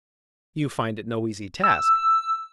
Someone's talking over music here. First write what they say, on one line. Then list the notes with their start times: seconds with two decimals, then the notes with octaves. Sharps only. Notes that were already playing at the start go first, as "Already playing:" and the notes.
You find it no easy task.
1.64 E6